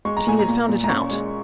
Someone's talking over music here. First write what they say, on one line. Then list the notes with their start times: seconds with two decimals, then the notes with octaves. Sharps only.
But he has found it out.
0.05 G#3 C#6
0.17 A#5
0.27 A#2 G#5
0.39 A#5
0.48 A#2
0.68 A#2
0.84 A#5
0.89 C#4 C#6
1.11 G#3